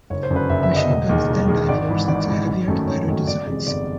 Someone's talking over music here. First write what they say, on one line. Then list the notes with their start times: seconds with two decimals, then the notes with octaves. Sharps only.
Machine guns then diverged into heavier and lighter designs.
0.10 F#1 C#5
0.23 C5
0.30 F#2 D3
0.36 B4
0.50 F#1 E5
0.63 E5
0.69 F#2 D3
0.76 D#5
0.89 E1
1.09 D#2 D#3 G#3
1.29 E1
1.48 D#2 D#3 G#3
1.69 G#1 D5
1.89 G#2 E3
2.08 G#1 D5
2.28 G#2 E3
2.48 G#1
2.68 F#2 D#3 F#3 A3
2.88 G#1 C#5
3.08 F#2 D#3 F#3 A3
3.27 G1 D5
3.47 F2 C3 E3 G#3 D5
3.67 G1 D5